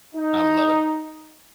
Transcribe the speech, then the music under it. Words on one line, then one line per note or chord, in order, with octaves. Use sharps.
I love it.
D#4